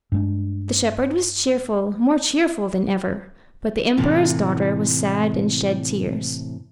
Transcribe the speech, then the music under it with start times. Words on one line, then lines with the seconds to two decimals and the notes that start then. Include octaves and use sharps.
The shepherd was cheerful, more cheerful than ever, but the emperor's daughter was sad and shed tears.
0.12 G2 G#3 D4
3.97 A2 C3 E3 A#3 F4